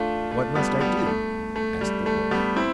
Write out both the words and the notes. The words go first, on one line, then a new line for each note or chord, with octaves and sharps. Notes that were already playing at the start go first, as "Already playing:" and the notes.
"What must I do?" asked the Wolf.
Already playing: A3 D4 F4
A3
G3 B3
G3 B3
A3
A3
G3
A3
G3 B3
C4 E4